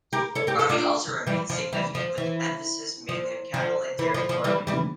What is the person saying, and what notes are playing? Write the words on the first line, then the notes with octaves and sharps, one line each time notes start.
Farming also remains significant with the emphasis mainly on cattle and dairy farming.
G4 A#4
A4 C#5
G4 A#4
F4 A4
D4 F4
E3 G3
F3
E3 G3
F3
E3
F3
F3
E3
F3
F3
E3 G3
E3 G3